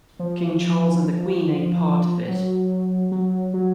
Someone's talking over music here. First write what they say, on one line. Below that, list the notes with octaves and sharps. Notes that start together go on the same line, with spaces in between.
King Charles and the Queen ate part of it.
F3
F#3
F#3
F#3